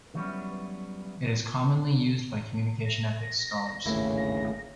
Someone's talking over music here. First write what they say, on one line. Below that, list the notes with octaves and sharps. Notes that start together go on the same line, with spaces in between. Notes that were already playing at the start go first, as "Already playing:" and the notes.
It is commonly used by communication ethics scholars.
D3 E3 F#3 G3 B3 C#4
A#6
D1 G#1 C#3 A3 A#3 C#4 E4
A#6